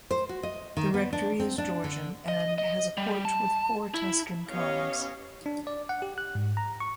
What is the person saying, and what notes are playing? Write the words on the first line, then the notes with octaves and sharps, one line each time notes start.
The rectory is Georgian and has a porch with four Tuscan columns.
C5
F#4
D#5
D#3
B3
D4
C4
D4
D3
D#5
D#5
G3
A5
E4
B3 C#4 G4 C#5 D#5 F5
D4
D5
F#5
G4
F#6
G#2
A#5
C#6